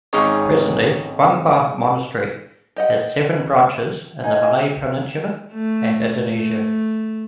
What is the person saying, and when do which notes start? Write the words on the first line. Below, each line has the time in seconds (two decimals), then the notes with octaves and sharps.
Presently, Guanghua Monastery has seven branches in the Malay Peninsula and Indonesia.
0.13 G#1 G#2 C#4 D#4 G#4 C#5
2.76 G4 D#5 F#5
4.23 D#4 D#5 G#5
5.52 A3
6.29 A3